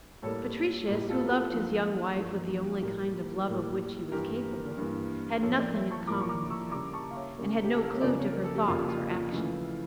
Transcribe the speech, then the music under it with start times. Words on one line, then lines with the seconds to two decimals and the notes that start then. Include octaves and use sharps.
Patricius, who loved his young wife with the only kind of love of which he was capable, had nothing in common with her, and had no clue to her thoughts or actions.
0.22 A2 G3 A#3 A4 C#5
0.87 A2 G3 A#3 G4 A#4
1.08 F4 A4
1.24 A#4
1.31 F4 A4
1.52 G2 F3 A#3
2.17 G2 F3 A#3
2.82 A2 G3 A#3 G4 A#4
3.47 A2 G3 A#3
4.12 G2 E3 A#3 G4 A#4
4.78 G2 E3 A#3
5.42 A2 F3 A#3 A4 C#5
5.58 A#4 D5
5.74 C#5 E5
5.91 A5 C#6
6.07 A2 F3 A#3 A#5 D6
6.20 C#6
6.29 A#5 D6
6.50 C#6 E6
6.71 C#3 G3 A#3 A#5 D6
6.93 A5 C#6
7.11 F5
7.15 C#5 E5
7.38 C#3 G3 A#3
7.64 G4
7.74 A4
7.83 A#4
7.92 C#5
8.02 F2 C#3 F3 A#3 A#4 D5
8.19 C#5
8.32 A#4
8.44 A4
8.55 G4
8.67 F2 C#3 F3 A#3 F4
8.89 F4
9.11 F4
9.32 C#3 E3 A3 F4
9.54 E4